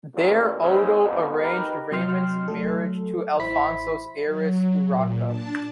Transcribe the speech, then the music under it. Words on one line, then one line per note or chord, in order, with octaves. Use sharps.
There Odo arranged Raymond's marriage to Alfonso's heiress, Urraca.
A1 F2 A#2
D#2 G#2 C#3 G#3 C4
F2 G#2 B2
D#4 G4 A#4 B4
C3 F#3 D#5 G5 C6 F6
F#3 A3 A4
A1 E4 C5 B5 B6
F#3
A#2
D4 A5